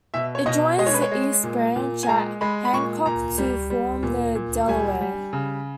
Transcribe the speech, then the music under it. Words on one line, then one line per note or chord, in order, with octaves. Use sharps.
It joins the East Branch at Hancock to form the Delaware.
B2 E5
C#5
B2 D#5
G#3 D#5
C#5
B4
C#5
G#3
A#2
A#2
G#5
G#3 A#5
G#3 B5
B5
A#2 C#6
A#2 A#5
G3
G3
A#2
A#2
G3 G#5
G3
C#3